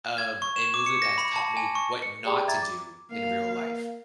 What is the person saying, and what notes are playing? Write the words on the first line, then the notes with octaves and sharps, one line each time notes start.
of a movie that's taught me what not to do in real life,
G#6
C#6
E7
D6
C#7
A#6
B5
A5
G#5
C#6
C#7
G4 G#4 D5 G5 B5
E5 A#5 D6 G#6 A6
D6
A#3 F5